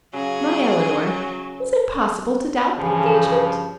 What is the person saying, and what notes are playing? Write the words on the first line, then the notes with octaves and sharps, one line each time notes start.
My Elinor, is it possible to doubt their engagement?
C#3 F#3 G#4
G2 C#3 E3 F3